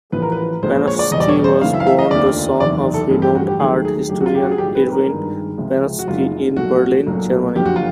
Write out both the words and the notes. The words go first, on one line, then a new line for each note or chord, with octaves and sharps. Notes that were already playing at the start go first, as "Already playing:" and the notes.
Panofsky was born the son of renowned art historian Erwin Panofsky in Berlin, Germany.
A1 A2 F3 B4
A#4
B4
A#1 A#2 F3 G#3 C5
C5
C#5
D5
E2 B2 G3 D#5
D5
C#5
C5
F#2 C#3 E3 A3 F5
E5
F5
E5
D#5
F1 D#2 D3 F3 D5
F#1 E2 C3 D#3 D5
A4
A1 G2 D3 F3 A3 G#4
G4
F#4
G4
D#2 D#3 F#3 A3 G#4
G#4
F#2 D3 F#3 A3 G4
F#4
F4
G4
F#4
G#4
A#1 G#2 D#3 G3 G4
B4
A#4
G#1 G2 D#3 G#3
C#2 C3 F3 G#3
F#4
F#1 F#2 D#3 G#3 F4
B1 A#2 F3 A3 F#4
B1 A#2 F#3 A3
F#1 F2 D3 F3 G4
F#4
F4